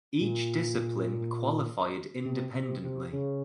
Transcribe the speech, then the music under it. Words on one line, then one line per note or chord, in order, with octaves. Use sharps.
Each discipline qualified independently.
A#2
C3
C3
C3
C#3